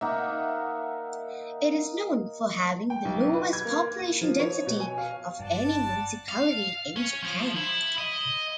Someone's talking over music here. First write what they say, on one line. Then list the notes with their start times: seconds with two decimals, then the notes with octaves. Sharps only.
It is known for having the lowest population density of any municipality in Japan.
0.01 A#3 D#4 E5 F#5
2.90 G5
3.05 B1
3.33 B4
3.53 G#6
3.65 A#3
3.99 D#7
4.21 F3
4.40 C#5
4.67 B2
4.80 G#5
4.98 F5
5.40 G1 G2 D5 F#5 A5
6.29 F5
6.97 C#4
7.23 F3
7.57 E4
7.98 D#5